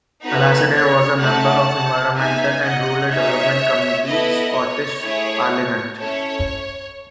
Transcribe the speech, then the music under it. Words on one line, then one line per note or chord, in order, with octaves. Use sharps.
Alasdair was a member of the Environment and Rural Development Committee Scottish Parliament.
B3 D#4 F#4 A4 B4
C#5
A3 D#4 F#4 A4 F#5 A5
B3 D#4 G#4 E5 G#5
D#5 F#5
D#4 G#4 C#5 E5
B3 E4 A4 B4 D#5
C#5
A3 E4 G#4
C#4 E4 A4 C#5